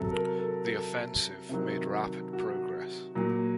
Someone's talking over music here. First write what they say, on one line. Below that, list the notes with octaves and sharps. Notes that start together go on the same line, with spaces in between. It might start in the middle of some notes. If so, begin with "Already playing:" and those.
The offensive made rapid progress.
Already playing: C3 F#3 A4
A#4
A4
A4
C3 D#3 F#3
F#4
A#2 F#3